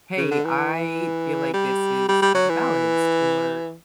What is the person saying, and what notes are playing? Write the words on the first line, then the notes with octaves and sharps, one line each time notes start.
hey, I feel like this is unbalanced," or,
C#3
D3
E3
G3
G3
G3
F#3
E3